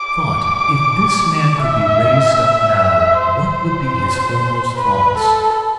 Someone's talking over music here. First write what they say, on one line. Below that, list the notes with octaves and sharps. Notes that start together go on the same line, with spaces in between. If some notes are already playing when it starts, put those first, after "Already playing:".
He thought, if this man could be raised up now, what would be his foremost thoughts?
Already playing: D6
E5
C5
B4
A4